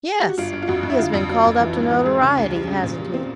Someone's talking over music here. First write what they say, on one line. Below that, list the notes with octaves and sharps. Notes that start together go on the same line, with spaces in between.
'Yes; he has been called up to notoriety, hasn't he?
G4
F#4
G1 F4
G1
F4
F2 F#4
F2
E4
D3 F4
F2
F#3
F2
E3
G#2
E3
G#3
C#3
D2
G3
C#3
A#2
G3
C4